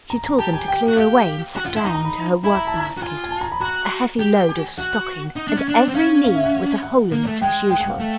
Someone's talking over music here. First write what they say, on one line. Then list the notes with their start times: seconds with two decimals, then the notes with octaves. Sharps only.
She told them to clear away, and sat down to her work-basket: a heavy load of stockings and every knee with a hole in it as usual.
0.10 A#5
0.24 A#5
0.38 G4 A5
0.53 G#5
0.68 G5
0.88 F#4
0.97 G4 F5
1.56 F#4
1.65 F4 F#5
1.76 E4
1.85 D#4 A#5
1.95 A#5
2.05 B5
2.44 E4 B5
2.55 A#5
2.67 A5
2.80 A#5
2.97 F#4
3.02 F4 G#5
3.24 G#5
3.31 A5
3.41 A#5
3.51 B5
3.61 F#4 A#5
4.19 G4
4.49 G#5
4.78 F#4 F#5
5.36 D#4
5.47 D4
5.57 C#4
5.68 D4
5.88 C4
5.95 C#4 F5
6.24 F5
6.35 E5
6.44 F#5
6.83 F#5
7.12 A#3
7.27 A3
7.41 G#3 G5
7.70 G5
7.80 F#5
7.90 F5
7.99 A3